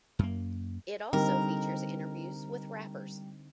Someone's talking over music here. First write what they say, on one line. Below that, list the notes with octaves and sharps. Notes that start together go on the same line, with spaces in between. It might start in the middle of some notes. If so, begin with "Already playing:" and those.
It also features interviews with rappers.
F#2 A#3
D3 G3 C4 D#4 A#4